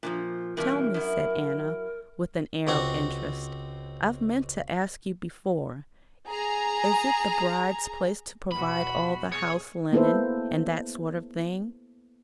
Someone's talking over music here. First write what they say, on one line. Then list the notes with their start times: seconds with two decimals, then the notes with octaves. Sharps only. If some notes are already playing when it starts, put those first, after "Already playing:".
'Tell me,' said Anna, with an air of interest; 'I've meant to ask you before: Is it the bride's place to provide all the house-linen, and that sort of thing?'
0.03 A#2 D#3 F3
0.57 G2 B2 E3 A#4
0.94 F#2 E4
2.67 C#2 C4 F#4
6.29 G#4 A#5
8.51 E2 B2 F#4 B5
9.32 G#4 C#5
9.92 A#3 B3 E4 A4 B4 C5